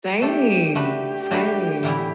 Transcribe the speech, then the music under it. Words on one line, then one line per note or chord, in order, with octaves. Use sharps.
Same, same.
A3 D4 G4 A4
A3 D4 F#4 G4 B4
A3 D4 F#4 B4
A2 E3 G3 B3 E4